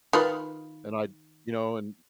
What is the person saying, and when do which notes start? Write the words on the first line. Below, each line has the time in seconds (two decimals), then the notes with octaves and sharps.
and I you know, and
0.13 D#3 F4 B4